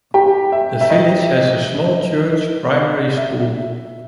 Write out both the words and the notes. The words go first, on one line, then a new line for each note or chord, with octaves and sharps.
The village has a small church primary school.
G4 G5
E5
E5
D#5
E5